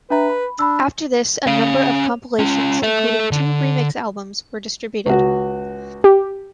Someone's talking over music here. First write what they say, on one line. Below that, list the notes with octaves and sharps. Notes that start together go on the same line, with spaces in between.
After this, a number of compilations, including two remix albums, were distributed.
D4 B4 E5 A#5
B5
D4 B5 E6
C#4 F5
C#4 F4
A4 E5
D3
C#2 F#4
G4